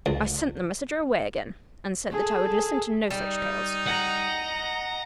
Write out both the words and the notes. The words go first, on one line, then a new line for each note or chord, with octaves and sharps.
I sent the messenger away again, and said that I would listen to no such tales.
C#2
G#4 A4
G3 D#4
D#5 F#5 A#5